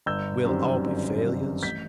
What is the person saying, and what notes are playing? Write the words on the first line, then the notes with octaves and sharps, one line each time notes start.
"We'll all be failures?"
G1 E6 G6
F#2 D#3 G3 C4
G1
F#2 D#3 G3 C4
A1 G6 B6